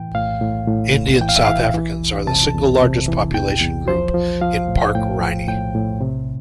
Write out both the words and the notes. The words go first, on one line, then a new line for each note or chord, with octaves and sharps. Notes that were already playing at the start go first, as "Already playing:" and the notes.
Indian South Africans are the single largest population group in Park Rynie.
Already playing: A2 E3 G5
A2 F5
A2
A2
A2
E3 G5
F5
E5
E3 F5
E3
E2
C3 A5
E2
C3
E3
E2 G5
E2
F3 C5
F3
F3 F5
A2
A2 G5
F3
A2 G5
A2
C3